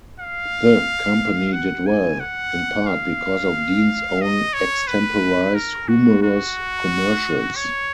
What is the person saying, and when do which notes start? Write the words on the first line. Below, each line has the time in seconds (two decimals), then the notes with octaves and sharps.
The company did well, in part because of Dean's own extemporized, humorous commercials.
0.19 F5
1.53 F#5
1.86 G#5
2.20 F#5
2.86 F5
4.21 D#5
4.54 C#5
4.87 B4
5.55 A#4
5.88 F#4
6.22 F#4
7.56 C#5